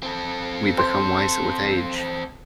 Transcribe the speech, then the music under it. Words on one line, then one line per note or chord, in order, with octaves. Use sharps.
We become wiser with age.
C4 A4
C5